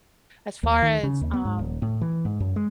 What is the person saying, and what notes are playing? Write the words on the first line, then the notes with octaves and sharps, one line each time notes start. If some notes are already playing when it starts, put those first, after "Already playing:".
as far as, um,
D#2
D#3
C#3
D#2
B3
G#2
D#1
A2
E3
G#2
F#2
G#3